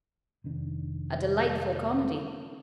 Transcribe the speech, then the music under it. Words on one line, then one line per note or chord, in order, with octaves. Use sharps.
A delightful comedy.
F1 D#3 D4